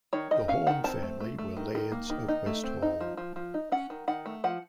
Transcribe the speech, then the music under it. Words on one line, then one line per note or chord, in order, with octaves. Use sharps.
The Horn family were lairds of Westhall.
D#3 C#5
D#3 D#5
C#4 F5
D#3 F#5
C4 A5
A3
A3
A3
D#3
D#3
A#3
D#3
D#4
A3
C4
D#4
F3
F3
F3
D#4
C#4 F#5
D#3
D#3 F#5
A3
F3 F#5